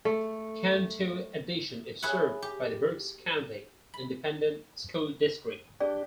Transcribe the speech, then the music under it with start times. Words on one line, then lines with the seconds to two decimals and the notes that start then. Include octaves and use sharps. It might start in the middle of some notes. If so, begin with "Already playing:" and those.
Cantu Addition is served by the Brooks County Independent School District.
0.05 A3
2.02 G#4 B4 C#5 E5 F#5
2.42 G4
3.94 B5
5.80 D4 G4 G#4 D5